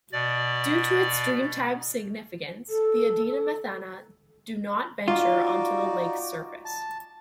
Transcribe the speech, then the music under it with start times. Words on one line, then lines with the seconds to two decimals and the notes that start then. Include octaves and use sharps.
Due to its Dreamtime significance the Adnyamathanha do not venture onto the lake's surface.
0.13 B2 D5
2.69 A4
5.08 D#4 F4 F#4 D5
6.65 A5